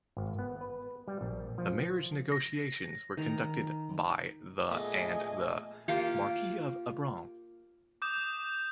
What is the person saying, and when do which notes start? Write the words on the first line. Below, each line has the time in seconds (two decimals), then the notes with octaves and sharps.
The marriage negotiations were conducted by the and the Marquis of Abrantes.
0.17 G#1
0.39 B3
0.61 B4
1.08 G3
1.21 A#1
1.58 F3
2.32 A#6
3.17 D#3 A#5
4.70 A#2 A3 B3 G#4 D#5
5.88 A#3 F4 G4
8.02 D6 D#6 G6 E7